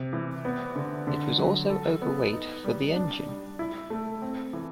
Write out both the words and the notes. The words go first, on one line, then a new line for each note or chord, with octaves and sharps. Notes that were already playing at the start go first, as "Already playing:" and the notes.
It was also overweight for the engine.
Already playing: C3
E3
B3
D3
D3
F#3
A4
B3
D#4
G3
D4
G3
E4
A3
C4
E3